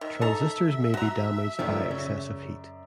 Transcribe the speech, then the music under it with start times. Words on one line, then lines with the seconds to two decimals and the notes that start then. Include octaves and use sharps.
Transistors may be damaged by excessive heat.
0.01 D#3 E5
0.21 D#4 A4 A5 A#5
0.94 F#4 A#5
1.59 F#2 A2 D#3 F3 D5 E6
1.91 C#3